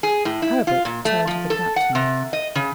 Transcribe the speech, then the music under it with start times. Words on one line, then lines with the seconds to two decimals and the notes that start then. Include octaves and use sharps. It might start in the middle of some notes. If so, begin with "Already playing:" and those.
Herbert turned to the Captain.
0.03 G#4
0.25 A2
0.42 E4
0.67 F4
0.85 A#2
1.05 A3
1.27 F3
1.50 A4
1.76 F#5
1.95 C3
2.33 D#5
2.55 C#3